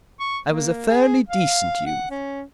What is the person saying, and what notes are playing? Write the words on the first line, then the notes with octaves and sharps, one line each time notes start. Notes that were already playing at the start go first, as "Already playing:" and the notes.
I was a fairly decent youth.
C#6
A#3
G#4
F5
F#5
C#4